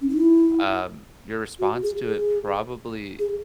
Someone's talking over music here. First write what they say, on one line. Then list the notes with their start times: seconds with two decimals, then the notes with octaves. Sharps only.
um, your response to it probably
0.01 C#4
0.08 D#4
0.16 E4
1.59 F#4
1.83 G#4
2.06 G#4
3.19 G#4